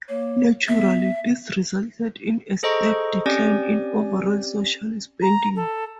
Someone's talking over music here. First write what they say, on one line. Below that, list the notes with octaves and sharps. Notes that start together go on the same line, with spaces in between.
Naturally, this resulted in a steep decline in overall social spending.
A#3 C#5
B3 E5
G#4 A4 C5 D#5 A#5 C#6
C4 C#4 G4 D5 G#5
A#5
A4